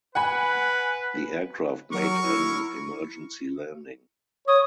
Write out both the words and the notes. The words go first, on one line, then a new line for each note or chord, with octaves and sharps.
The aircraft made an emergency landing.
B4 F#5 G#5 B5
F#3 A#4 C#6
E4
C#5 D#6